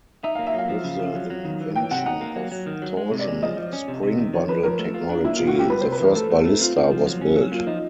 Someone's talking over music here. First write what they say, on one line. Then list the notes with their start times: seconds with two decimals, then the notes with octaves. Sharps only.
With the invention of torsion spring bundle technology, the first ballista was built.
0.23 D#4 E5
0.35 A#3 F5
0.46 E5
0.54 F#3 F5
0.69 F3
0.84 C#3
1.00 F3
1.15 F#3
1.30 F#3
1.45 D#3
1.61 E3
1.75 E3 G5
1.91 C3 F#5
2.06 D#4 F#5
2.21 A#3
2.36 F#3
2.52 F#3
2.67 D#3
2.82 F#3
2.97 G#3
3.12 C3
3.19 D5
3.27 G#3
3.42 F3 D#5
3.57 F3
3.73 C#4
3.88 C3
4.03 C3
4.18 D#3
4.33 F3 C#5
4.48 F3 B4
4.63 F3 A#4
4.79 A3
4.94 F4
5.09 D4
5.24 A#3 E4
5.36 B2 F4
5.47 F#4
5.55 A#3 G4
5.70 G3 B4
5.81 C3 C5
5.92 B4
6.00 E3 A#4
6.15 A3 A4
6.30 A3
6.38 A4
6.45 A3
6.60 C4 F4
6.76 C4
6.91 F3
7.06 F#3
7.21 C#4
7.37 F#3
7.52 A#3 F4
7.66 F3 D#4